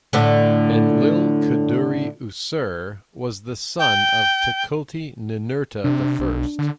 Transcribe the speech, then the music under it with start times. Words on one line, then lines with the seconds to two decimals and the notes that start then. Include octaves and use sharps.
Enlil-kudurri-usur was the son of Tukulti-Ninurta the First.
0.13 A2 D3 D4
3.79 G5
5.84 C3 D4
6.19 B1
6.59 D3